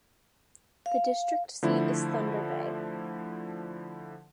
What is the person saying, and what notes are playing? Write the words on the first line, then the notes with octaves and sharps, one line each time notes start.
The district seat is Thunder Bay.
F5
D3 F3 A3 E4